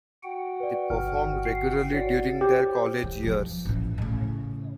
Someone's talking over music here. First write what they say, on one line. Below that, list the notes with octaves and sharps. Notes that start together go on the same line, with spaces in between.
They performed regularly during their college years.
F#4 F#5 G5
B4 D5
G1 F6
C7
E4 F#4 C#5 D5 F#5
G4 C5
E3
D#3 F3
A1 E3
A2 C#3